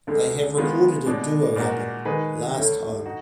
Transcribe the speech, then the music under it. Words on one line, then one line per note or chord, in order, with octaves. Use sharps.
They have recorded a duo album, "Last Home".
D2 D3 G#3
D#3 G#3 B3 F4
B2 G#3 D4
A#2 G#3 D4 F#4 A#4
D#3 G#3 D#4 G#4 B4
D2 D3 F#3
D#4 F#4